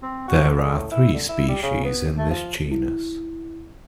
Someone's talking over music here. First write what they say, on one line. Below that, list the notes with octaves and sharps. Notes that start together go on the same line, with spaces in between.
There are three species in this genus.
C4
F#4
D3
A2
E4
D3
E4
G3
C#3
B3
A3
F3
E4